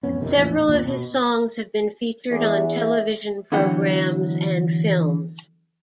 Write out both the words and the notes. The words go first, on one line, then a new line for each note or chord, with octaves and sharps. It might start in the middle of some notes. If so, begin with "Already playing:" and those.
Several of his songs have been featured on television programs and films.
A1 F2 B3 C#4
A#1 F2 C3 D#3
D#2 A2 E3 F3
A1
D#2 A#2
B2
E2 A3 D4 G#4
E5
E2 D3 E3 F#3 F#5 G5